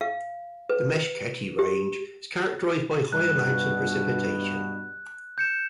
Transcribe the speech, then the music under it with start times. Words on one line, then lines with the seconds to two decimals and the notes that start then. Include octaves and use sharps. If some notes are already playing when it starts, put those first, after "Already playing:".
The Meskheti Range is characterized by high amounts of precipitation.
0.01 F5
0.69 B4
1.59 G4
3.12 G2 B2 F#6
5.38 G6 C#7 E7